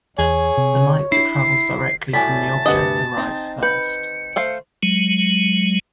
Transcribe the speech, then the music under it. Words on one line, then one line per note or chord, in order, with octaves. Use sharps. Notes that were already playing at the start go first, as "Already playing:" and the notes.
The light that travels directly from the object arrives first.
E2 G#4 C#5
C3
D4 E4 C7
A2 F#3 G3 G#5 A5 B6
D2 G2 C3 D#5 F#5
C4 D#4 A#5
B4 G6 C#7
A3 C5 F5
F#3 G#3